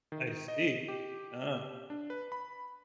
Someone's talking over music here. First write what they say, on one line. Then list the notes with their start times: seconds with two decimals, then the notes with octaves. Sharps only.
I see. Uh.
0.12 D#3
0.48 D#5
0.88 G4
1.90 D4
2.10 B4
2.32 B5